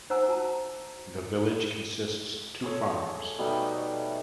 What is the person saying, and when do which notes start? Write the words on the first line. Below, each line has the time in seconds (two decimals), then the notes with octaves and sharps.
The village consists two farms.
0.10 D#4 C5 F#5 G#5 A#5 E6
0.28 F#4 A5 A#5
2.64 G#4 A4 C#5
3.38 B2 G3 A3 D#4